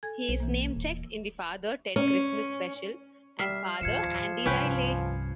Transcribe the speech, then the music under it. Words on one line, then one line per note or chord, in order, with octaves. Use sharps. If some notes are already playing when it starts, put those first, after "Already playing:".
He is namechecked in the "Father Ted Christmas Special" as 'Father Andy Riley'.
A4 G#5 G#6
B1 C5
E3 A#3
D#1
C#4
G3 E5 F6 C7
D#2 A2 F3 G#6 C#7 E7
C2 G2 C#4 B4 G5